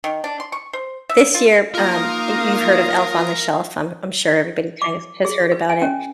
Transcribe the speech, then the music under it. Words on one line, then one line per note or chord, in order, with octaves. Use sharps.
this year, um, you you've heard of Elf on the Shelf, I'm I'm sure everybody, kind of, has heard about it,
D#3
D4
C6
C#6
C5
E5
F4
A#3 D#4 F4 A#4 F5 A#5 D#6
D6
G#4
B4
G#5
C#4